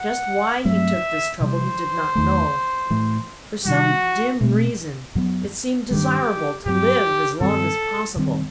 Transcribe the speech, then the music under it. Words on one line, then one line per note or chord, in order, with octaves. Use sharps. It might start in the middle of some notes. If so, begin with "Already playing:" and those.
Just why he took this trouble he did not know: for some dim reason it seemed desirable to live as long as possible.
Already playing: F#5
G2 F#3 A3 C4 E5
C3 E3 G3 C5
E2 D#3 A3
A2 E3 A3
C3 D#3 G3 F#4
B2 A3 C4
F#2 F#3 B3
G2 D#3 G3 G4
G2 F#3 C4 G4
G2 D#3 G3 C4 A4
F#2 D#3 G3 C4